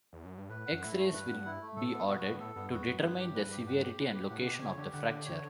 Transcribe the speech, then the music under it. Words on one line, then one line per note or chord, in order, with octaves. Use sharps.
X-rays will be ordered to determine the severity and location of the fracture.
E2
F#2
G2
A2 B4
F#5
F#2
A2 E4
G2 A3
G2 B4
F#5
E4
A3
A2 A4
B3
B2 F#4
G2 B3
A2 A4
G2 B3
E2 F#4
F#2 B3
G2 F#5
G4
B4
G4
F#5
G4
B4
G4
A2 F#5
C#3
B2 G4
C#3 C#5
D3 G4
D3 F#5
G4
C#5